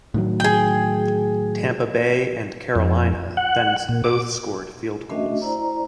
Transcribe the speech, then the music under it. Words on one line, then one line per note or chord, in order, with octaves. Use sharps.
Tampa Bay and Carolina then both scored field goals.
A2 D#3 F#3
G#4 G5
F2
F#5
A#2
D6
A3 C#4 D4 F#4 D#5 E5
E4 C5 D5 A#5